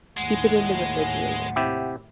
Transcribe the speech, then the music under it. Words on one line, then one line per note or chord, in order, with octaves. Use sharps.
Keep it in the refrigerator.
D#2 A2 G#3 F#5
C3 E4 G4